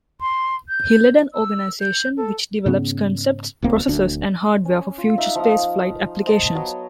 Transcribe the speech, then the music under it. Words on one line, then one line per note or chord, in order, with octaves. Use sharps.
He led an organization which develops concepts, processes and hardware for future spaceflight applications.
C6
G6
E6
G6
A4
G#2 C#3 B3 C#4
D#1 C#2 A#3 C4
D1 D2 D4
C#4
F4
D#4 D#5 E5
F3 F5 D#6
C5 D#5 A5 C6
F#3 B3 C#5 D#5